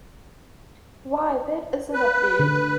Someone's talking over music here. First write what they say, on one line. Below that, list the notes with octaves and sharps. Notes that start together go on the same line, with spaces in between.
Why, that isn’t a bed!
B4
D3